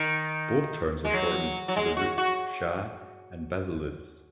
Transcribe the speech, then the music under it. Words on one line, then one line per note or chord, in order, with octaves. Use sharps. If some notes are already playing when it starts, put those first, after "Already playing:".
Both terms were often shortened to their roots "shah" and "basileus".
Already playing: D#3
G#3
F#3
F#3
G#3
F#4
F#4